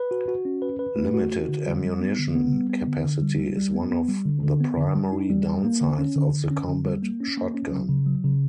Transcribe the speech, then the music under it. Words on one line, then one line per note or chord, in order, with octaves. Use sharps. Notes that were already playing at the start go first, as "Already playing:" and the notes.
Limited ammunition capacity is one of the primary downsides of the combat shotgun.
Already playing: B4
F#4
F#4
C#4
B4
B4
A3
F#4
F#4
D3
G3
G3
B3
D3
B3
G3
B3
D3
D3
G3
G3
G3
B3
B3
G3
D3
D3
B3
D3
G3
D#4
G3
G3
A#3
D3
C#4
D3
D3
C#4
D3
G3
A#3
C#4
A#3
C#4
F#3
C#3
F#3
C#3